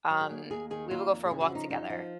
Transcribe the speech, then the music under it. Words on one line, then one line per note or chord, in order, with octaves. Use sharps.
um, we will go for a walk together.
F#3
G#4
A#3
D#2 G#4
D#3 G#4
A#3 F4
F2
G#4
C#3
F#4
F3
D#4
F#2 D#4
F3